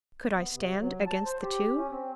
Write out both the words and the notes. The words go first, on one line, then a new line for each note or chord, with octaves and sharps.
Could I stand against the two?
B3
C3
F#3
A5
C5
G4
C#4
C4